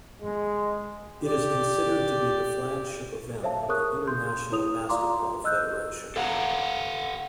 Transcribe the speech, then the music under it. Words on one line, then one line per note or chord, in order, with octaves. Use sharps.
It is considered to be the flagship event of the International Basketball Federation.
G#3
G4 D5
C5 C#5 E5 F5 A5
G#4 A#4 C#5 C#6 D#6 F#6
C6 G6
E4 C#5 D#6 F7
F4 D5 F5 A#5 C6 D6
D#5 E6 F#6 G6
A4 F5 F#5 A#5